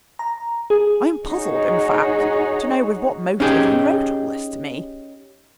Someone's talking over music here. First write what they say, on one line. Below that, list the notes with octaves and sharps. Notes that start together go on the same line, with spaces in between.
I am puzzled, in fact, to know with what motive you wrote all this to me.
A#5
G#4
D#4 F#4 G#4 C#5
C#4 D#4 G4 G#4